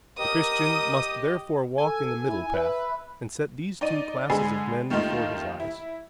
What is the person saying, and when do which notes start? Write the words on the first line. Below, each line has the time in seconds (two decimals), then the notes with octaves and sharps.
The Christian must therefore walk in the middle path, and set these two classes of men before his eyes.
0.19 G4 A#4 D#5 D#6
1.78 A4 G#5
2.27 E4
2.54 B4 E5
3.81 D#4 D5 D#7
4.30 D3 G#3 G#4 B5 G#6 C7
4.90 D#2 D#3 A3 D#4 F4 F5
5.60 E4